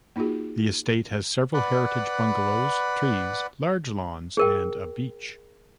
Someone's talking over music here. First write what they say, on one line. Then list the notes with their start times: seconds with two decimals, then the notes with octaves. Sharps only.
The estate has several heritage bungalows, trees, large lawns and a beach.
0.16 A#3 D#4 F4 F#4 G#4
1.54 B4 D5 F#5 B5
4.37 G#4 A#4 G5